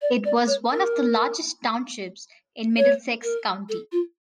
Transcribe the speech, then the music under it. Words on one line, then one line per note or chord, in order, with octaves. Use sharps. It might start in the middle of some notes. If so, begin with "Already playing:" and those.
It was one of the largest townships in Middlesex County.
D5
D5
C#5
A#4
C#5
A#4
A4
F4